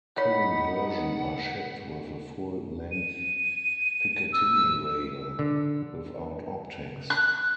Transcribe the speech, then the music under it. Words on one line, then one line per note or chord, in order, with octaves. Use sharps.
Current version are shipped with a full length Picatinny rail, without optics.
D#4 C#5 F#5 B5
D#7
E6
D3
F#6